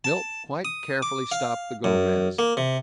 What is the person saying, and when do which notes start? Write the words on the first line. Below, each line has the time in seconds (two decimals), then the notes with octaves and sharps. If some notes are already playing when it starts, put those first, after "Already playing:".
Milt quite carefully stopped the Gomez.
0.04 A5
0.65 D#6
1.03 D6
1.32 F5
1.84 F#2
2.39 A#3
2.57 C3